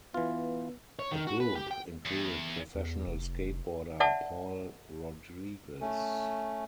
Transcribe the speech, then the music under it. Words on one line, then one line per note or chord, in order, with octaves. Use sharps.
The group included professional skateboarder Paul Rodriguez.
E3 B3 F4
C#5
D#3
F#4
B4
G4
G5
E2
E2
F1
D5 E5 F#5 A5
A3 C#4